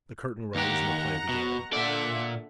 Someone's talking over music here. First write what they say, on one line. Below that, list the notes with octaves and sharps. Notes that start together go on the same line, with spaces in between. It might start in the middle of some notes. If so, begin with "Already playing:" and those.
The curtain rose and the play began.
D#2 G4 F#5 A#5
B2
A#2 D3 D5 E5 F#5